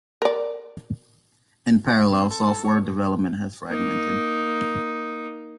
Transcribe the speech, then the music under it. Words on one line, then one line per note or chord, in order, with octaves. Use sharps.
In parallel, software development has fragmented.
A#4 D5
C4
A4
A4
C#5
A#3 D#4